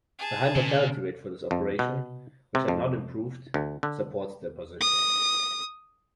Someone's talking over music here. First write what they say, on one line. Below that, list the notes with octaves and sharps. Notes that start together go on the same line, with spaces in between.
The high mortality rate for this operation, which had not improved, supports their position.
G#4 A5
A#2 D3 C#4
F2
B2
C3
F2
D2
D3
D#6